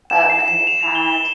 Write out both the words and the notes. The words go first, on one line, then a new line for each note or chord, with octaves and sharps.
um, and they had,
E7
C7
E7
F7
G7